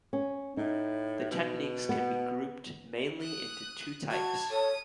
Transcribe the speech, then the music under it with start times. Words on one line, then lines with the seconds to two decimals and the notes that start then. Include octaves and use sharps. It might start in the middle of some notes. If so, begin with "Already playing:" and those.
The techniques can be grouped mainly into two types.
0.13 C#4
0.57 A2 D#4
1.31 B2
1.89 B3
3.22 D#6 F#6
4.11 F#4 A5 G#6
4.51 A4 C#5 D#6